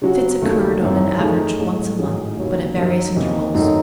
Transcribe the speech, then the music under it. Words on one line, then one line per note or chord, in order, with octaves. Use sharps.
The fits occurred, on an average, once a month, but at various intervals.
C#3 F#3 C#4 F#4
D#2 C#3 F#3 A3
G#1 F#2 E3 C4 E4
F#2 D#3 A3 D#4 G#4
A1 A2 G#3
A1 G#2 F#3 C#4 G#4
D#2 C#3 F#3 C#4
F#2 D#3 F#3
D#2 C#3 E3 C4 D#4
G#1 F#2 D#3 A3 D#4